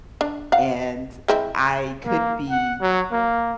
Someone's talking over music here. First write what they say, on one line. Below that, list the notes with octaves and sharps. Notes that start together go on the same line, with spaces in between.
and I could be,
D4
F5 F#5
G#3 C4 E4
A#3
F#5
F#3
A#3